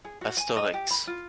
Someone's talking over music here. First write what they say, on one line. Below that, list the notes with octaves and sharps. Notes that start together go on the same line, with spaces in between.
Pastor Ex.
G#4
F#4
G#5
D#5
G4
B5
F4